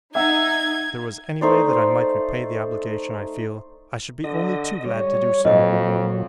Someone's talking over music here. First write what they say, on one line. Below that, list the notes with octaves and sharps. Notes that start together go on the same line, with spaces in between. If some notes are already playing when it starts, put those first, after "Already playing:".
If there was any way that I might repay the obligation I feel, I should be only too glad to do so.
D#4 E5 F#5 E6 G#6
A3 D#4 C5 D5
D3 D#5
G3 C#5
F2 A#2 F#3 D#5